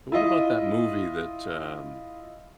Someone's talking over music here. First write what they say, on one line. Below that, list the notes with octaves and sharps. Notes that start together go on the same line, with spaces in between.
And what about that movie that, um,
E4 F4 D#5